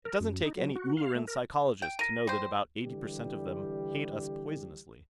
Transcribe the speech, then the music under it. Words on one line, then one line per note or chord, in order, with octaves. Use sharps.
"It doesn't take any Ulleran psychologist to know that about eighty percent of them hate us poisonously."
A#4
F#2
D#4
F#3
F#4
F5
A3
A#4
G5
A#4 A#6 D#7
G3 C5
D3 E3 G3 G4